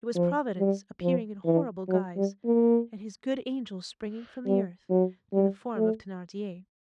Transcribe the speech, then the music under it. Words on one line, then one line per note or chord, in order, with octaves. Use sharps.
It was providence appearing in horrible guise, and his good angel springing from the earth in the form of Thenardier.
F3
G3
F3
E3
F#3
G3
A#3
G3
F#3
G3
A3